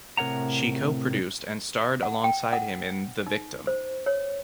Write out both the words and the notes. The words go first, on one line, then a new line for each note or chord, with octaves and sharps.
She co-produced and starred alongside him in The Victim.
A2 C3 A#4 C#5 F#5 A#5
F#5
G5
F#5
D#4
C5
C#5